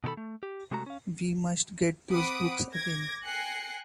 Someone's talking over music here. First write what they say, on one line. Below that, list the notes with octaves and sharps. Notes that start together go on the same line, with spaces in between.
We must get those books again.
B2 D#3 B3 A4 B5
A3
G4
C3 G#3 A3 F#4 A#5
C#4 F5
C4 F#5 B5 D6 D#6 D7
D6 G#6 A#6
G5 G#5 F#6 A#6 C7 C#7